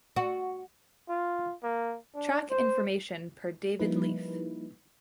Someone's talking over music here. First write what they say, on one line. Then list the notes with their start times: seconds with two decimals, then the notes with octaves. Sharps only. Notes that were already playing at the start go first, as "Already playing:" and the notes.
Track information per David Leaf.
0.16 F#4
1.09 F4
1.63 A#3
2.15 D4
2.50 C5
3.79 F3 G3 A#3 D#4 E4 B4